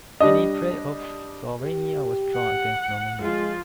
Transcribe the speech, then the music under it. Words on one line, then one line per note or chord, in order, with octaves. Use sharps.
In the playoffs, Slovenia was drawn against Romania.
G3 D4 D#5
G4
F#5
F3 G#3 F4